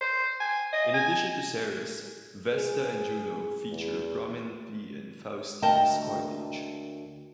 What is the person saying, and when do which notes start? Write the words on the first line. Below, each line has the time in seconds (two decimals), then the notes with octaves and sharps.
In addition to Ceres, Vesta and Juno feature prominently in Faustina's coinage.
0.01 C5
0.40 G#5
0.73 D#5
0.94 G#5
2.54 G#4
3.69 E2
5.62 D2 A#4 D#5 G5 A5